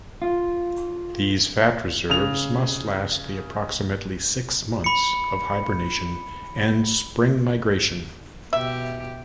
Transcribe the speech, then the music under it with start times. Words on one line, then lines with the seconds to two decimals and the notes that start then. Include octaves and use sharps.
These fat reserves must last the approximately six months of hibernation and spring migration.
0.22 F4
2.10 C#3 F7
4.84 B5 C#7
8.53 B2 G4 E5